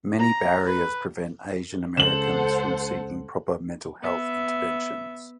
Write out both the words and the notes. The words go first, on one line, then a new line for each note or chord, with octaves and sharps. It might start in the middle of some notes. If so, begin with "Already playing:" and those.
Many barriers prevent Asian Americans from seeking proper mental health interventions.
A#5
B4
C#2 C#3 A4 C5 F#5 E7 F#7
B3 E5